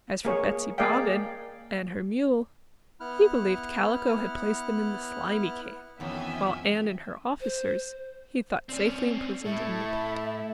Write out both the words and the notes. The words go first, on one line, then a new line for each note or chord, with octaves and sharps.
As for Betsy Bobbin and her mule, he believed Kaliko had placed them in the Slimy Cave, while Ann and her officers he thought safely imprisoned in the pit.
A#3 G#4 C#5
A#3 G#4 D5 D#5 F5 G5
B3 E4 F6 F#6
F2 D#3 E3 B3 C#4 E5 G5 G#5
C5
C4 C#4 D5
A2 E4 A4 E5